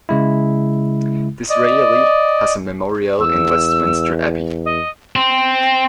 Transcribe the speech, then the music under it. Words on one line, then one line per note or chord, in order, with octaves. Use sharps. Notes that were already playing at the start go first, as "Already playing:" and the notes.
Disraeli has a memorial in Westminster Abbey.
C#3 G#3 E4
D5 D#5
E2 E6
D#5
C4